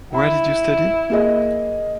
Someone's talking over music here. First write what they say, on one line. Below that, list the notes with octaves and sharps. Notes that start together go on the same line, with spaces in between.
Where did you studied?
E4 B5
A#3 G#4 D#5